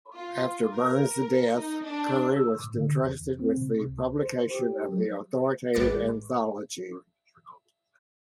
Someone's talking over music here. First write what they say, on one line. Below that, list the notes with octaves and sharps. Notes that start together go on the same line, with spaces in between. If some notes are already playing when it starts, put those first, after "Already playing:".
After Burns's death, Currie was entrusted with the publication of an authoritative anthology.
F4
A#4
D#4
D4
E6
A2
D3
E2
C4
C3
C#2
C5
G4
F#3
A1 G#3 B4 D6 A6 C#7